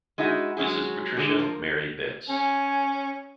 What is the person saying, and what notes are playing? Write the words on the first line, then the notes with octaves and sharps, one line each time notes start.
Mrs. Patricia Mary Bence.
G#3 D#4 E4 F#4
F#3 G#3 C#4 E4 G#4
D3 G#3
F3 A#4
C#4 G#5